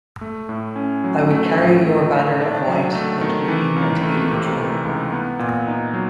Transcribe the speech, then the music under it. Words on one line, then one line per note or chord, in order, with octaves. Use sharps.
I would carry your banner of white and green and heliotrope.
A3
A2
C#4
F#3
A3
A2
A3
D#3
D4
F#3
A3
D#3
E3
C#2
A3
C3
E3
C#2
B3
A#2
D#4
F#3